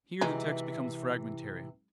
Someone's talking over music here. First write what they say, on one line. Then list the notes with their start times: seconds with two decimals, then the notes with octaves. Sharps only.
Here the text becomes fragmentary.
0.21 C3 E3 F#3 G#3 D#4